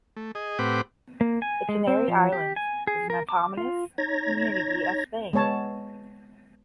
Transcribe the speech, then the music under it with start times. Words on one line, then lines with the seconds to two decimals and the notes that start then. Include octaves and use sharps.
The Canary Islands is an Autonomous community of Spain.
0.17 A3
0.35 G#4 D#5
0.59 A2 C4 G4 B4 F#5 D6
1.21 A#3
1.42 G#5
1.69 G#3
1.88 C4
2.08 F3
2.33 G4
2.56 G#5
2.87 G#4
3.10 A#4
3.29 D6
3.57 F4
3.98 D#4 C#5 A#5 G#6 A#6
5.33 G#3 B3 C#5 A5